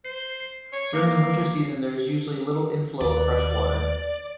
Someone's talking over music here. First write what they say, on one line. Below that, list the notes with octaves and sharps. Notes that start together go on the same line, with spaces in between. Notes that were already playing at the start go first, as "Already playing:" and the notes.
During the winter season there is usually little inflow of freshwater.
C5 C7
C7
C#5
A#3 D6 C7 C#7
D#2 B4 D5